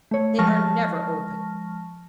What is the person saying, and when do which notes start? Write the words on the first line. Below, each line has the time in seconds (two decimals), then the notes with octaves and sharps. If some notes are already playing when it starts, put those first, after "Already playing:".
They are never open.
0.11 A3 C#5
0.38 F3 G#3 A5 C#6 F6 A#6